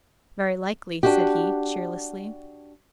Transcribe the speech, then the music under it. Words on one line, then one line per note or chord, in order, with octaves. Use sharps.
"Very likely," said he cheerlessly.
D4 F#4 G4